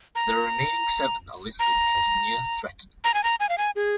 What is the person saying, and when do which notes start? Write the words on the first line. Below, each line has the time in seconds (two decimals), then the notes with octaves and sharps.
The remaining seven are listed as Near Threatened.
0.15 A#5
1.59 A#5
3.04 A#5
3.14 G#5
3.24 A#5
3.40 G#5
3.49 F5
3.58 G#5
3.76 G#4